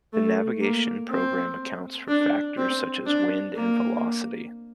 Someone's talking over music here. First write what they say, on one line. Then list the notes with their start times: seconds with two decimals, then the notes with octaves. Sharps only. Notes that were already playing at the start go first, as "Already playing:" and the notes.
The navigation program accounts for factors such as wind and velocity.
0.13 A3
0.61 A#3
1.11 C4
2.08 D4
2.57 C4
3.06 D4
3.55 A#3